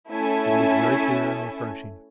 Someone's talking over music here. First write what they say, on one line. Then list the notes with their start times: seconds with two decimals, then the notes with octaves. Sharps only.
It looked very clear and refreshing.
0.10 A3 C#4 E4 A4 E5 G#5